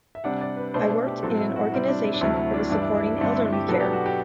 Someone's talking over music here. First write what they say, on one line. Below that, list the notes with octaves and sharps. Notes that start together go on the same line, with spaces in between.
I worked in an organization that was supporting elderly care.
E5
C3 G3 D4 F#5
D5
B4
B2 A3 D4 C5
C5
G4
A2 F#3 C4 A4
E4
F#4
C3 G3 C4 E4
D4
E4
D4
D2 C3 F#3 A3 E4
E4
D4
G2 E3 G3 D4 E4
E4
E4
E4
G2 D3 A3 C4 D4
E4
G4
B2 F#3 B3 D4 A4
G4
F#4
G4